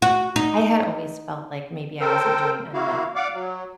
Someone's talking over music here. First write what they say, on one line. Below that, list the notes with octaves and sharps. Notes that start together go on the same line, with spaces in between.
I had always felt, like, maybe I wasn't doing enough,
F#4
D#4
A4 A#4 C5 G5
A#3 E4 F#4 F5
D5 F5 F#5 D6
F#3